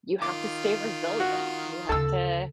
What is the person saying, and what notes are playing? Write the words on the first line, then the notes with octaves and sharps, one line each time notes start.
you have to stay resilient. You have to,
D#3 F4 D6
F#4
D2 C#3 A4 A5 E6